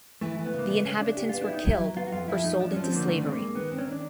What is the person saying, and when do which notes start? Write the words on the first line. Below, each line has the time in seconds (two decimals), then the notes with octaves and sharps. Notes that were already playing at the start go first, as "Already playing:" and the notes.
The inhabitants were killed or sold into slavery.
0.21 E3 A3
0.38 E3
0.46 B3
0.54 C#3
0.59 A#3
0.69 C#3 B3
0.85 A3 C#4
1.01 C#3 D4
1.17 G4
1.29 B3 F4
1.41 D4
1.47 E4
1.49 D#4 G4
1.64 F#3 E4
1.80 F#3
1.97 B3 F4
2.07 F#4
2.12 F2 F4
2.28 F3 E4
2.44 A3 D#4
2.60 F3 D4
2.72 F3 C#4
2.84 C4
2.92 D3 A#3
3.08 D#3 A3
3.24 A3 C4
3.32 A#3
3.39 G#3
3.55 D#3 B3
3.72 C4
3.78 C#4
3.87 D#3 D4